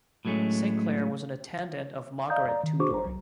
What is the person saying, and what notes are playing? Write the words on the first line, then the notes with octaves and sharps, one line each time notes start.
Sinclair was an attendant of Margaret Tudor.
A2 F#3 G#3 A3 C#4
D5 D#5 F5 A#5 D#6 G6
D5 A#5
D#3
D4 F#4 G#4 C5 C#6 D6
G#1 C5 A#5
C2 F#3